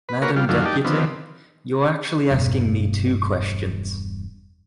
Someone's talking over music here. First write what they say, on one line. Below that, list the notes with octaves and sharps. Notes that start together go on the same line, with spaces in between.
Madam Deputy, you’re actually asking me two questions.
B4
A#3 F#4 A#4 B4 C#5
G3 F4
F#2 D3 D#3 F#3 A3 F4
D#4 G4 D5 A5
D3 D#3 F3 B3 C4
E1 G2